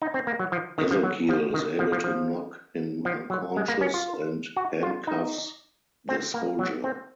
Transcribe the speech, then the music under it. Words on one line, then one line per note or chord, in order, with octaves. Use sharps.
Ezekiel is able to knock him unconscious and handcuffs the soldier.
D#4
C4
A#3
F#3
F3
D#3
F3
F#3
F3
D#3
F3
F3
F3
F3
F#3
G#3
A#3
C#4
F4
F#4
F4
D#4
C4
A#3
F#3
C4